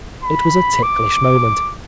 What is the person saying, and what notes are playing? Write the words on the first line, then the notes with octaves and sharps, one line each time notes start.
It was a ticklish moment.
B5
D6